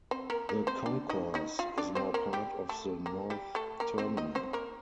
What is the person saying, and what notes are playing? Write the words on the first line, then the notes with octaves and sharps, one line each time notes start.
The concourse is now part of the North Terminal.
C4 C5
A#3 A#4
A#3 A#4
C4 C5
D4 D5
D#4 D#5
D#4 D#5
F4 F5
D4 D5
C4 C5
A#3 A#4
G3 G4
A3 A4
A#3 A#4
G3 G4
A3 A4
A#3 A#4
C4 C5
D#4 D#5
C4 C5
A#3 A#4